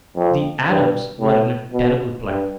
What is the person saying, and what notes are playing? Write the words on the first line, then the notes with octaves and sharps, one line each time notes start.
The Arabs were in a terrible plight.
F2
G2
A2
B2
G2